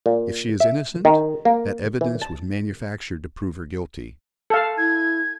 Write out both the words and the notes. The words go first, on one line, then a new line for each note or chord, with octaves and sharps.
If she is innocent, that evidence was manufactured to prove her guilty.
A#2
E5
D#3
A#3
E3
A5
A4 F5
E4 G#6